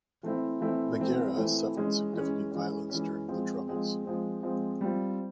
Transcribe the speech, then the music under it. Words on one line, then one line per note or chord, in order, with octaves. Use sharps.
Maghera suffered significant violence during the Troubles.
E3 A3 C4 E4
E3 A3 C4 E4
E3 A3 C4 E4
E3 A3 C4 E4
E3 G#3 C#4
E3 G#3 C#4
E3 G#3 C#4
E3 G#3 C#4
F3 G#3 C4
F3 G#3 C4
F3 G#3 C4
F3 G#3 C4
G3 C4 F4